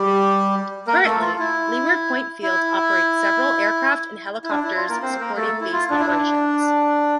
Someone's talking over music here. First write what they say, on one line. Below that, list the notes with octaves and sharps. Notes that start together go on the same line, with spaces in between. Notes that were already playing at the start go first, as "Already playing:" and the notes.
Currently, Leeward Point Field operates several aircraft and helicopters supporting base operations.
Already playing: G3 G4
A#3 A#4
A3 A4
F4
E4
E4
E4
D4
E4
F4
A#3 A#4
C4 C5
A#3 A#4
A3 A4
E4
F4
D4
E4
D4